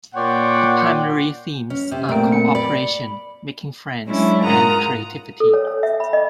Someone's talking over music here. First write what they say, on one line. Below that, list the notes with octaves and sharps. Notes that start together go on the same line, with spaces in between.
The primary themes are cooperation, making friends, and creativity.
A#2 C#5 D5 F#5 G5 C6
C#4
C3
A#2 A3 C4 D7
C#7
D5 B5
F#3 G#3 C#4 D4 E4
G#2 F4 A#4 F#5 A#5 D#6
A4
C#5
C#5
E5
B5
D#5